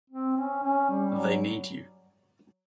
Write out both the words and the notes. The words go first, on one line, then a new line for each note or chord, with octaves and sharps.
They need you.
C4
C#4
C#4
G3
F#3